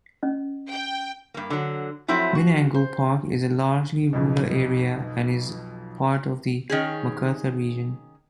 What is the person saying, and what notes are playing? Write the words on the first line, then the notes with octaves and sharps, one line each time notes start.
Menangle Park is a largely rural area and is part of the Macarthur region.
C#4 D#5
G5
G2 A#3
D3 F#3
F3 F#3 A3 C4 E4
F#4
C5
B1 F2 B2
D#3 C#4 G#4